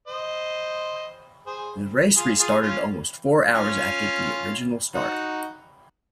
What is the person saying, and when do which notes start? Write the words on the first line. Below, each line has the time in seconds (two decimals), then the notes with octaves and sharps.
The race restarted almost four hours after the original start.
0.07 C5 D#5
1.46 G#4 C5
2.16 F4 G#4
2.39 F4 G#4
2.63 C#4 F4
3.55 C#4 F4
4.94 D#4 F#4